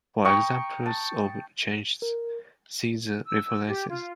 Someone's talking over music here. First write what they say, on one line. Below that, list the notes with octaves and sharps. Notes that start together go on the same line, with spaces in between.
For examples of changes, see the references.
G5 A#5 C#6 D#6
A5
A#4
E6
G4
F4